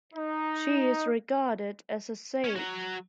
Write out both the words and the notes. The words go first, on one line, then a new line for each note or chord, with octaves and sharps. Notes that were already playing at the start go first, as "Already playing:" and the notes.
She is regarded as a saint.
D#4
C#4 C#5
F#3 F#4